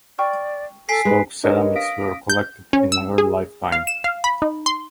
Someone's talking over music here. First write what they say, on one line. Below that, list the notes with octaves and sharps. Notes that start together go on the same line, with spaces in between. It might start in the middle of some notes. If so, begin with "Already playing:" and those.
Stokes ceramics were collected in her lifetime.
D5 G5 C#6 F6
A4 G#5 B6 C7
G#3 B4
D4 G4 A#4 B4 C#5 D#5
F5 D#6 A#6 B6 D7
G6
C#4
E6
G#4
F5
E7
F5
B5
D#4
C6